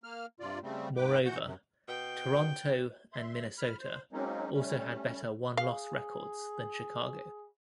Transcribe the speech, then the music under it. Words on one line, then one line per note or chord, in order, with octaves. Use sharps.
Moreover, Toronto and Minnesota also had better won-loss records than Chicago.
A#3 F6
G2 C3 F4 D5
C#3 G3 A3 C4
G#2 B4 G5 D6
E3 F#4 F#5 G6
F#2 C3
B2 G5
E5 C6
B5 F6
C5
F#3 G#3 A#3 C4 C#4 D#4
G3 A3 C#4
G#4 F5